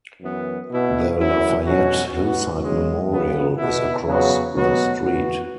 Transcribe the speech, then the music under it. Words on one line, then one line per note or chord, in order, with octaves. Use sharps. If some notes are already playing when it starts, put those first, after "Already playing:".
The Lafayette Hillside Memorial is across the street.
F#2 E3 B3
B2 B3 E4
F#2 F#3 E4
B2 F#3 C#4 F#4
B2 B3 F#4
F#2 C#3 G#3
C#3 E3 B3
B2 B3 E4
C#3 F#3 B3 F#4
B2 F#3 B3 F#4
E3 B3 F#4